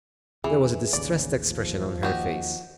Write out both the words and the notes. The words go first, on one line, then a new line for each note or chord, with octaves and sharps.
There was a distressed expression on her face.
E2 C3 D#3 E3 G#4
A1 D#2 C#3 D5
F3
D#2 F#4 G4 D#5